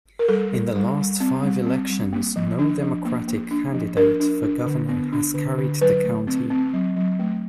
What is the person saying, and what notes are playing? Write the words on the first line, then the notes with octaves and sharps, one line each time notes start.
In the last five elections no Democratic candidate for governor has carried the county.
A#4
G3 A4
G3
G3
G3
C4
G3
C4
G3
A#3
F3
D4
F3
A#3
A#3
D4
F3
D4 A#4
D4
D4
D3
B3
D4
D3
D3
F#3 B4
A3
C4
C4
F#3
F#3
A3